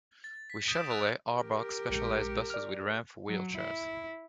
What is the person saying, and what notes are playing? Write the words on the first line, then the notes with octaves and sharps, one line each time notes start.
With Chevrolet Arboc specialized buses with ramps for wheel chairs.
A6
B6
D#6 G6 A#6 D7 E7
D#6 E6 F#6 F7
G4 A#4
A#1 G#3 C#7
D5 F6
F#3
E4